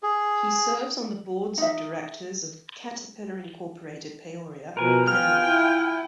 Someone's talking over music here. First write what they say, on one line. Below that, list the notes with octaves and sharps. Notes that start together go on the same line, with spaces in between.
He serves on the boards of directors of Caterpillar Incorporated Peoria, Illinois.
G#4
D#4 E5
B2 F3 A#4 B4 G#5
B3 F4 G5 G#5 F6
E4